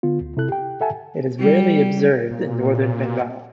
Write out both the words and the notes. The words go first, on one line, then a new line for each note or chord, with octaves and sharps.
It is rarely observed in northern Bengal.
D3 B3 F4
D2
C3 E4 A4 F#6
G4 G5
A4 E5 F#5 G#5 A5
G3
A#2